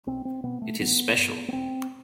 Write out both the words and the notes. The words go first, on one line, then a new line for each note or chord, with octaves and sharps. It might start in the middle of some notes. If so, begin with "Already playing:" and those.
It is special.
B1 C4
C4
B2 B3
A3
A1 B3
G2
B3
E1 C4